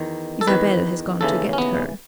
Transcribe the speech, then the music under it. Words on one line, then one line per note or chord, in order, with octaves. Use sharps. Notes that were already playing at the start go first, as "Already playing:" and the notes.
Isabel has gone to get her.
Already playing: E2 D#3
A4
E2 D#3 B4
D#2 C#3 E3 A4
C#4
B3